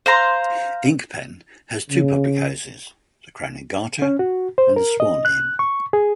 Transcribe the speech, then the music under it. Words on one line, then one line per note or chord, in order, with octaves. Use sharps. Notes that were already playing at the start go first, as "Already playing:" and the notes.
Inkpen has two public houses, the Crown and Garter and the Swan Inn.
C5 F5 A#5 C6
C#3
C#4
F#4
C5
A#4
D#5
F#6
C#6
G#4